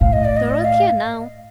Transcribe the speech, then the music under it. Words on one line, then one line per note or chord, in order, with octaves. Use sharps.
Dorothea, now.
A2 F5
D#5
D5
D#5
F5